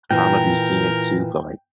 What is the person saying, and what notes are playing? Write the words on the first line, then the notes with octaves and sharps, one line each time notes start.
I don't know if you've seen it too, but, like,
A#2 E3 A#4 G5